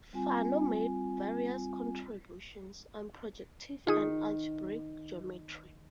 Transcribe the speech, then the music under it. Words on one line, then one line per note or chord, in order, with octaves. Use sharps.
Fano made various contributions on projective and algebraic geometry.
G3 C4 F4 G#5
D#3 F4 G#4 D#6